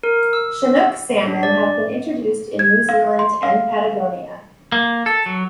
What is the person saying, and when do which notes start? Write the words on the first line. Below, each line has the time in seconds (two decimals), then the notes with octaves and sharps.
Chinook salmon have been introduced in New Zealand and Patagonia.
0.03 A#4
0.33 E6
1.28 D4
1.43 D5
2.59 G#6
2.89 F5
3.19 C6
3.43 F5
4.72 A#3
5.06 A4
5.26 F#3